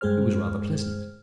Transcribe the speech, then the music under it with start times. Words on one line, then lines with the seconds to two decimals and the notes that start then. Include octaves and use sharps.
It was rather pleasant.
0.01 G2 G#3 G#4 C5 F6